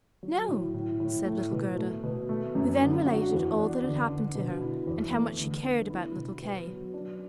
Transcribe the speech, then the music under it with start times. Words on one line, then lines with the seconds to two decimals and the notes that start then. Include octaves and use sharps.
"No," said little Gerda; who then related all that had happened to her, and how much she cared about little Kay.
0.23 F#3
0.48 A2
0.74 A2
1.00 A2
1.25 A3
1.52 B2
1.78 A3
2.03 B2
2.29 A3
2.55 F#2
2.81 D3
3.06 F#4
3.32 E2
3.58 D4
3.84 D3
4.09 D3
4.35 B2
4.61 E4
4.87 E2
5.13 A3
5.38 D3
5.64 B3
5.90 E4
6.16 B2
6.42 B3
6.67 F#3
6.94 D4